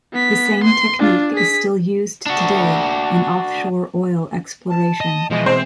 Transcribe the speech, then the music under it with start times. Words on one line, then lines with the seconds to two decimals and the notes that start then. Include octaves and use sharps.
The same technique is still used today in offshore oil exploration.
0.12 B3 B6
0.64 C6
0.99 D4 F4
1.33 G#4 B6
2.26 D4 F#4
4.69 A5
5.01 D#5
5.30 B2 E3 F3 G#3 D#5
5.46 C4 C5